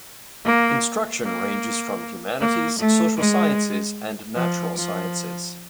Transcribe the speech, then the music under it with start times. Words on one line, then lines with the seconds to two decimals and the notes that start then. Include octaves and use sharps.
Instruction ranges from humanities, social sciences, and natural sciences.
0.45 A#3
1.23 A#3
2.41 A#3
2.79 A3
3.18 G#3
4.35 F3
4.75 F3